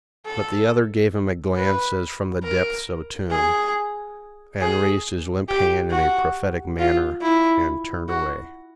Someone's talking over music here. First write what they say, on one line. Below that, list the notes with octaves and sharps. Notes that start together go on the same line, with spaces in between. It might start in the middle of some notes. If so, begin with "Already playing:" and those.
But the other gave him a glance as from the depths of a tomb, and raised his limp hand in a prophetic manner and turned away.
A4
B4
A#4
G#4
G#4
G4
F#4
F4
E4
F#4